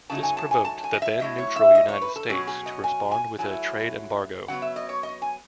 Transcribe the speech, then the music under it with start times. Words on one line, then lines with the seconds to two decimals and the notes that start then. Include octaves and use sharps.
This provoked the then neutral United States to respond with a trade embargo.
0.10 C#3 F#3 A3 D#4 A5
0.23 G#5
0.37 A5
0.51 G#5
0.65 A5
0.84 G#5
0.94 D#5
1.02 E5
1.20 F#3 A3 E4 D#5
1.38 C#5
1.56 E5
1.75 D#5
1.88 C#5
2.01 B4
2.16 A4
2.30 B2 F#3 C#4 G#4
2.47 G#4
2.66 D#5
2.84 G#5
3.11 G#5
3.38 F#3 A3 E4 G#5
4.48 C#3 F#3 B3 F#5
4.62 E5
4.76 D#5
4.89 C#5
5.03 D#5
5.22 G#5